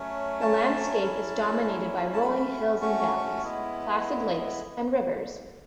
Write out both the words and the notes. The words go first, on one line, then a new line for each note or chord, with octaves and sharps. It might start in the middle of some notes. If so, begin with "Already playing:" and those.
The landscape is dominated by rolling hills and valleys, placid lakes and rivers.
Already playing: F#3 A3 C#4
A5
F#3 C#4 E4
A5
A3 C#4 F#4 B5
C#6
G#3 B3 E4